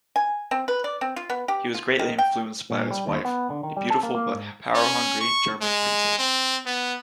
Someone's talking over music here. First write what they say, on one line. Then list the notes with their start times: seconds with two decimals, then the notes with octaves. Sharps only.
He was greatly influenced by his wife, a beautiful but power-hungry German princess.
0.16 G#5
0.51 C4
0.68 B4
0.84 D5
1.01 C4
1.16 F4
1.30 B3
1.48 G4
1.74 F4
1.99 D#3
2.18 G5
2.70 A#2
2.91 G3
3.07 D#2
3.25 B3
3.50 D3
3.63 D#3
3.77 G3
3.90 A4
4.03 A#3
4.15 A#3
4.34 G#2
4.74 C#4
5.21 C#6
5.61 G#3
6.19 C4
6.66 B3